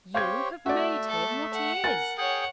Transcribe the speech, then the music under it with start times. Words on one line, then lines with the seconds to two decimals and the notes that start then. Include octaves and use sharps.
You have made him what he is!'
0.14 G4 C5 C#5 F5 G#6
0.66 A3 F#4 D5 E5
1.07 A4
1.53 F#5
1.84 A#4 G#5 F#6 A6
2.18 G#4 C#5 F#5 G5